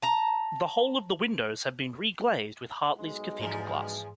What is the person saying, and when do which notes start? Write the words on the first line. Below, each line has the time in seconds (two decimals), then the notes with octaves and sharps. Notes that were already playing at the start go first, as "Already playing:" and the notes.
The whole of the windows have been reglazed with Hartley's cathedral glass.
0.02 A5 A#5
2.99 B1 G#3
3.39 E2 G#2 F3 G#4